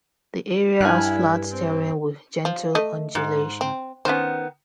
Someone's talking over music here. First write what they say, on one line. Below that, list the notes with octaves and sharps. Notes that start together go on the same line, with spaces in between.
The area has flat terrain with gentle undulation.
G2 E4 G#5 F6 F#6
C4
F3
A3 D#5
G#2
C4
D#3 B3 C#4 C5